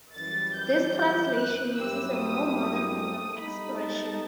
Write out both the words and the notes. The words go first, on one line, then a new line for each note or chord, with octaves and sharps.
This translation uses a more modern mode of expression.
F#2 E3 G3 A6
G6
F#6
G2 F#3 C4 E4 G4 E6
D#6
D#6
G3 B3 D#4 A4 B5
A5